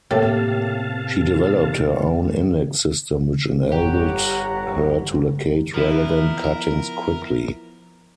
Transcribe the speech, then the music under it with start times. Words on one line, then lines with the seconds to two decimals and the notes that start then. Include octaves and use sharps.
She developed her own index system which enabled her to locate relevant cuttings quickly.
0.11 A2 C3 A#3 G4 F5 A5 A6
3.72 G1 G4 C#5 F#5 A#5
5.74 F3 B3 E4 A#4